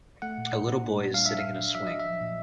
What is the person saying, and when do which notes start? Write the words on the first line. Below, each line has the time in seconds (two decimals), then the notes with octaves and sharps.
A little boy is sitting in a swing.
0.22 A3 F#5
0.38 A#2
0.53 A#2
0.68 A#2
0.84 D4
0.98 G3
1.14 D4 F5
1.26 D4 E5
1.38 F5
1.44 D4
1.60 F#3
1.75 F#3 E5
1.87 F#3 D#5
2.00 E5
2.06 F3
2.21 A#2